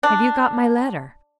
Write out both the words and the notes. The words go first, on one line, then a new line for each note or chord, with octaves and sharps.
Have you got my letter?
D4